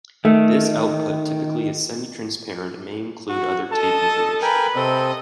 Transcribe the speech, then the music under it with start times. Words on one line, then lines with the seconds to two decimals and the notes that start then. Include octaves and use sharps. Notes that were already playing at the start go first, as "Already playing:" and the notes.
This output typically is semi-transparent and may include other tape information.
0.25 D#3 A3
3.29 F#4
3.73 A4 D#5 A5
4.42 A#4 B4 G5 G#5
4.76 C3 C4 A4 D#5